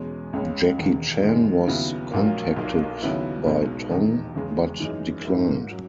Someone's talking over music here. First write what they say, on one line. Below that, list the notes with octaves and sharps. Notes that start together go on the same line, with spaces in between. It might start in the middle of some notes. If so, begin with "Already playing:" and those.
Jackie Chan was contacted by Tong, but declined.
Already playing: E2 B2 G#3 C#4
C#2 C#3 G#3 C#4
E1 D#2 D#3
F#2 D#3 G#3 D#4
D#2 C#3 F#3 B3 E4
A#1 A#2 F#3 A#3
B1 A#2 A#3
D#2 C#3 F#3 B3 E4
B1 B2 G#3 D#4
E1 D#2 D#3
E2 C#3 G#3
F#2 E3 G#3 D#4
G#2 F#3 A#3 E4
F#3 C#4